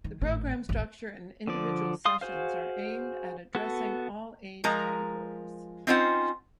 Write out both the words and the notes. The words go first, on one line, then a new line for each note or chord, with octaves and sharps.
The program structure and individual sessions are aimed at addressing all age categories.
D#3
G#1 A2 D3
D#1 A1
D3 F3 D5
F5 C6 D#6
F#4 G#4 C5 F5
B3 F#4 A4
F3 G#3 A#4 A#5
C4 C#4 D#4 F4 C5 F#5